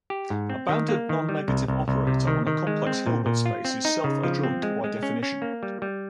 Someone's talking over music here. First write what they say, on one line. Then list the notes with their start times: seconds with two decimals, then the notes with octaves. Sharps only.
A bounded non-negative operator on a complex Hilbert space is self adjoint by definition.
0.10 G4
0.30 G#2
0.50 C4
0.69 D#3
0.88 A#3
1.09 D#3
1.29 G3
1.48 C2
1.68 C2
1.88 C2
2.07 C3
2.27 D#3
2.47 D#3
2.67 G#3
2.87 C4
3.06 A#2
3.26 A#2
3.46 F4
3.65 C4
3.85 D#4
4.04 C#3
4.24 F3
4.44 C4
4.63 G#3
4.84 G#3
5.03 C#4
5.23 C#4
5.42 A#3
5.63 G3
5.82 G3